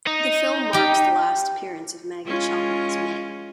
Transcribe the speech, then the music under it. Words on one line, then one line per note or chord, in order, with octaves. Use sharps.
The film marks the last appearance of Maggie Cheung as May.
D#4
G4 G5
G#3 C#4 F4